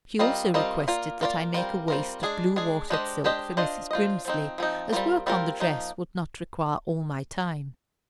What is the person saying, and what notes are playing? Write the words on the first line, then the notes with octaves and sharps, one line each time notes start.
She also requested that I make a waist of blue watered silk for Mrs. Grimsly, as work on the dress would not require all my time.
G3 C4 F4 A#4 D#5
G3 C4 F4 A#4 D#5
A#3 F4 A#4 D5
A#3 F4 A#4 D5
G3 C4 F4 A#4
G3 C4 F4 A#4
G#3 D4 G#4
G#3 D4 G#4
G#3 D4 G4 C5 D#5
G#3 D4 G4 C5 D#5
D4 F4 C5 D#5
D4 F4 C5 D#5
F3 C4 D#4
F3 C4 D#4
G3 C4 F4 A#4
G3 C4 F4 A#4
F3 A#3 D#4